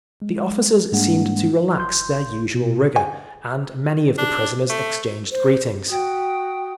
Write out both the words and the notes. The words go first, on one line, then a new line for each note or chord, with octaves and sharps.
The officers seemed to relax their usual rigor, and many of the prisoners exchanged greetings.
G#3
G#2 G3 G#3 A#3 D4 F#5
G#1 C6 G6
B2
G#5
D4
A3
C5
F#4 G5 D#6